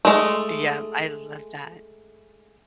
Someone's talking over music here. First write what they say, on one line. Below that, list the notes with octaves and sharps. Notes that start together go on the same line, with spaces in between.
Yeah, I love that.
G#3 A3